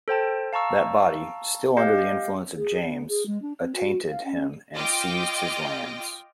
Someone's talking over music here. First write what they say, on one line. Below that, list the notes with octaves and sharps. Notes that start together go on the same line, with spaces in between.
That body, still under the influence of James, attainted him and seized his lands.
A4 C5 G5 A5
F5 A5 A#5 C#6 E6
G4 D#5 F5 G6
G#4
B3
G#4
G#3
D4
C4
F#4
F5
C#4
F4 D#5 G5 D6 F6